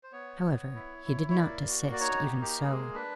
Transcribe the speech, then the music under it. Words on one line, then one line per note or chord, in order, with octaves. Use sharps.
However, he did not desist even so.
C5
B3 C#5
B3
E4
E4
C#5
A#3 D5
F#4
D5
D#4 C#5
G4
A#3
G4
G#3 G#4
D4 B4